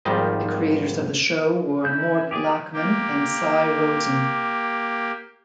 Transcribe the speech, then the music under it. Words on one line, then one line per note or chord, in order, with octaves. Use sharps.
The creators of the show were Mort Lachman and Sy Rosen.
G#1 D#3 F3 G3 D#5
C#4 E4 G6
G4 G#4 D5
A#3 G4